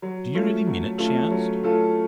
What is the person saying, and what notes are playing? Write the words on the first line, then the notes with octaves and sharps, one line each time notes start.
"Do you really mean it?" she asked.
F#3
A3 C#4 F4 A4
F#3
A3 C#4 F4 A4
F#3
A3 C#4 F4 A4